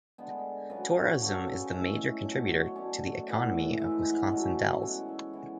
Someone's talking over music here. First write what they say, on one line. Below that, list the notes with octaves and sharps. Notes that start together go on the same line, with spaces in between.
Tourism is the major contributor to the economy of Wisconsin Dells.
D3 G#3 B3
C#3 F#3 B3 B4
C#5
C#3 F#3 C#4 A4
G#4
A2 G#3 C#4 E5
E5
B2 F#3 A3 E5
C#5
C#5
B2 A3 C#4 D5
A2 E3 B3 F#5
A2 E3 G#3 E5
F#5
B2 F#3 A3 C#4 E5
E5
E3 G#3 C#4 F#5
E5
E3 B3